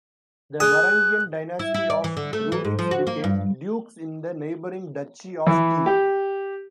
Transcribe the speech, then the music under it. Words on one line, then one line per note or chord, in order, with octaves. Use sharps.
The Varangian dynasty of Ruriks became dukes in the neighboring Duchy of Kiev.
G#4 D#6 F#6
E4
E4
D5
E3
D3
A3
E3
G#2
F3
F#4
A#3
G2
E3
G4